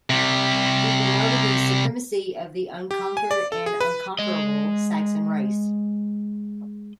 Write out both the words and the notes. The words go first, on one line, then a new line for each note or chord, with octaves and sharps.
He promoted the supremacy of the unconquered and unconquerable Saxon race.
C3 G3
G4
G#5
D5
A4
G#4
B4
G#3 D#5